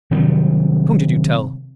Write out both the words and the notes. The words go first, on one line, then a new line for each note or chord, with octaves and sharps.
Whom did you tell?
C3 D#3 F#3 G3